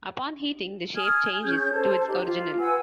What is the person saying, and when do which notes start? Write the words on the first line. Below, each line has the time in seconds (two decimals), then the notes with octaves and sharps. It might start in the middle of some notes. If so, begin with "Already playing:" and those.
Upon heating, the shape changes to its original.
0.96 G#5 D#6 F6 G#6
1.44 C#4 G#4 G6 G#6
1.73 A4 C5 A5
2.07 D#4 G4
2.25 F4
2.59 B4 F#5 G#5 E6